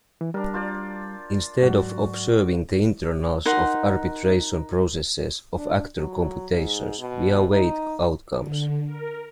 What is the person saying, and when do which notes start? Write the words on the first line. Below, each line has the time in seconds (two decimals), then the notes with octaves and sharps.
Instead of observing the internals of arbitration processes of Actor computations, we await outcomes.
0.21 E3
0.34 G3 D4 A#4
0.54 F4 C5 D5
1.62 G#2 F#3 F#4
3.46 D#4 A#4 F#5 C6
5.58 D4
5.99 F#3
6.55 G#2
7.00 B2
7.52 D#4
8.39 D3
8.86 A#4